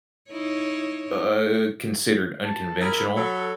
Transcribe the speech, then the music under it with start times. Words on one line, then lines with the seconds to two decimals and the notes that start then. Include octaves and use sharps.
uh, considered unconventional.
0.31 D#4 E4 C#5
2.45 A5
2.81 E4 G#4 A#4 B5
3.16 F#3 A4